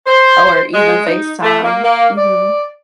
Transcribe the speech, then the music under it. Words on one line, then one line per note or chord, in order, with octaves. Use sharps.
or even FaceTime. Mhm.
C5
G#3
D#4
A3
A#3
A#3
D5